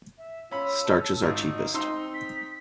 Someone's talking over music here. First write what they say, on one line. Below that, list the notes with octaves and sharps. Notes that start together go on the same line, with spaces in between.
Starches are cheapest.
E5
C#4 F4 B5 E6
A4
G#1 D#4
C4 D#4 C6 E6
B6